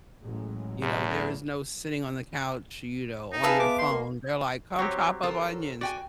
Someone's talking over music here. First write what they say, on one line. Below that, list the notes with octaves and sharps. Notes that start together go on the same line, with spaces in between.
You know there is no sitting on the couch you know on your phone. They're like, "Come chop up onions,
A1 F#3 G#3
E2
D#4
G#4 B4 E5 F5 A5
B3 D6
C6
A#3
F#3 C4 G4 C#5
A4 A#4 C5
F#4 D5 G5 G#5